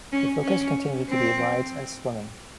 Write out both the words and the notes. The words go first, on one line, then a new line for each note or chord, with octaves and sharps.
The focus continued to be rides and swimming.
C#4
C#4
C4